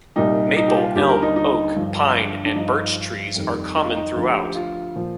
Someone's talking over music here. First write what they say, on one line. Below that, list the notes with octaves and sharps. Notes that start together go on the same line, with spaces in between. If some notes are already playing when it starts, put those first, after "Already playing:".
Maple, elm, oak, pine, and birch trees are common throughout.
C2 A#2 G3 D#4
D#4
G4
F4
D#2 D3 G3 G4
A#4
D#4
D#4
G2 D3 F3
D4
G2 F3 D#4
F2 D#3 G3
D#4
F4
D#4
D2 D3 F3 F4
G4
G4
F4
A#2 F3